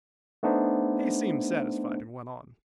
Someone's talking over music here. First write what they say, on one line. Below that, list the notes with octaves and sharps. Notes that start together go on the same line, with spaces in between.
He seemed satisfied, and went on.
A3 B3 D4 D#4 C5